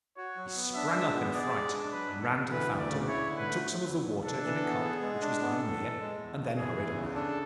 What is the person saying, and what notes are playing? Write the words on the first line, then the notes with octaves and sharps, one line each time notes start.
He sprang up in a fright, and ran to the fountain, and took some of the water in a cup which was lying near, and then hurried away.
F#4 C#5
F#3
B3
D4 E5
G#3
B3
G#4 D5
G#3
D4
F#3 B4
E2
A4
D3
E3 B4
D2
D5
C#3
E4 C#5
D3
B4
A3
F#3
E2
B2
D4 A4
E3
B3
G#4
G#3
D4
B3 A4
A2
E3
G#3
E2
B2
E3 G#4
E2
C#3
D4 A4